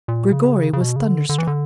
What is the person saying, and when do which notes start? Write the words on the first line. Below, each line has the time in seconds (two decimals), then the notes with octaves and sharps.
Grigory was thunderstruck.
0.08 A#2
0.32 C#3
0.73 C#3
0.81 B2
0.96 C#3
1.06 D3
1.29 D3
1.38 E3
1.47 D3